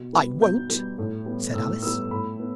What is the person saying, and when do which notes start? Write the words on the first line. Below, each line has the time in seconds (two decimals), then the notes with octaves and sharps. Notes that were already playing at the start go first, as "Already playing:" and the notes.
'I won't!' said Alice.
Already playing: B2
0.13 G3 B3
0.41 B2 G6
0.70 G3 B3
0.98 A2
1.26 G3 B3
1.54 A2 E6
1.82 G3 B3 E6
2.11 A2 B5
2.40 B3